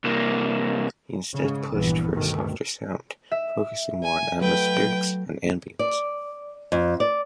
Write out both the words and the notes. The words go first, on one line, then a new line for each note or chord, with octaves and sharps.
He instead pushed for a softer sound, focusing more on atmospherics and ambience.
C2 A#3
G#2 C#3
A#1 G2 E3 B3
D2 G2 B2 D#3 A3
E5
G#5
F#3 A3 B4 G5
D5
F2
D5